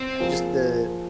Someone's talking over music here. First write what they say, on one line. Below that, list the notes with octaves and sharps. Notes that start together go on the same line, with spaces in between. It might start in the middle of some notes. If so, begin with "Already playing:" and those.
uh, just the
Already playing: C4
F3 A#3 F4 G#4